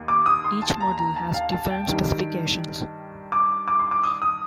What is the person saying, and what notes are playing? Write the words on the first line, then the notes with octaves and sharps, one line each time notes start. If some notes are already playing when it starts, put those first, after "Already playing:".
Each model has different specifications.
Already playing: D#2
D6
D#6
C6
A5
A#5
A#5
A5
F5
A5
G5
G2 D#3 G3
D6
D6
C6
D6
D#6
D#6